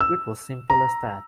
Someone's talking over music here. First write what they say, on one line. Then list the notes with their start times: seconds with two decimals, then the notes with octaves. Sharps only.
It was simple as that.
0.01 E6
0.70 A#5